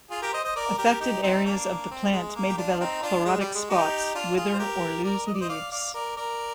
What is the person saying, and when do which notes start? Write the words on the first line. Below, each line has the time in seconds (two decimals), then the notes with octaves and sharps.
Affected areas of the plant may develop chlorotic spots, whither, or lose leaves.
0.11 F4 G#4
0.22 G4 A#4
0.33 C5 D#5
0.44 C5 D#5
0.56 A#4 D5
0.78 G4 A#4
1.00 D#4 G4
1.23 C4 D#4
1.45 A#3 D4
1.91 C4
2.13 G#3
2.35 A#3
2.49 G4
2.57 D4 F4
2.80 C4 D#4
3.02 D4 F4
3.25 G#3
3.40 G3
3.55 G#3
3.70 D#4 G4
4.15 D4 F4
4.37 F4 G#4
4.53 C5
4.59 G4 A#4
5.04 A#4 D5
5.26 D#5
5.34 D5
5.41 C5 D#5
5.49 D5 F5
5.72 D5 F5
5.94 A#4 D5
6.17 A#4 D5